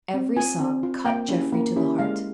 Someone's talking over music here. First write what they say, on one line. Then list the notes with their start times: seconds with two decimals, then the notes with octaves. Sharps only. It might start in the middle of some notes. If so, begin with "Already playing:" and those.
Every sob cut Jeffrey to the heart.
0.14 C4
0.37 F4 G#5
0.60 C4
0.83 F4
1.06 A#3 G5
1.29 C#4 E4 G4
1.53 A#3
1.76 C#4 E4 G4
1.99 G#3 F5